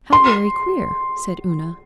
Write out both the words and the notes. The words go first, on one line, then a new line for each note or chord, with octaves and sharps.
'How very queer!' said Una.
C6